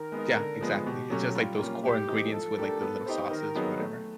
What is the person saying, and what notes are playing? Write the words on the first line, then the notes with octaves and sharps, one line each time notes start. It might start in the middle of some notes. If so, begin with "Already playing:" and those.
Yeah, exactly, it's just like those core ingredients with, like, the little sauces or whatever.
Already playing: D#3 A#4
G#3 B3 D#4
D3
F3 G#3 B3
B2 G4
F#3 A3 C#4
G3 F4
A#3 C#4
A2 G4
E3 G#3 C4 D#4
F3 A4
A3 D4 G4 A#4
B3
D#4 G4 C5
D#3 A#4
F#3 B3 D#4 G#4
A3